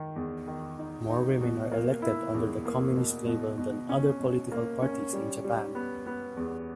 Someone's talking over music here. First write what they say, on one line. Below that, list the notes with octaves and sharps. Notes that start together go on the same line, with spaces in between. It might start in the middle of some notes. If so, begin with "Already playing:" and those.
More women are elected under the Communist label than other political parties in Japan.
Already playing: D#3
E2
D#3
D#4
D#4
B2
A#3
E4
E2
A#3
B2
B2
B2
C#4
B2
A#3
C#4
G3
G3
B3
B3
E2